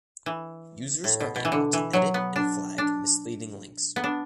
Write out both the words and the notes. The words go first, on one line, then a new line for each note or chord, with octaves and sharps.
Users are able to edit and flag misleading links.
E3
A2
B2
B2
E3
D3
E3
F#3
B3
D4
D4
B3
D4